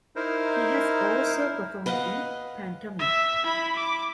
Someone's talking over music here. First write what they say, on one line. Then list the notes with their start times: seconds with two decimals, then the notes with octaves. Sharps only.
He has also performed in pantomime.
0.16 D#4 E4 A#4 C5
1.86 B4 D#5 F5 F#5
2.99 E5
3.44 E4 B5
3.76 D6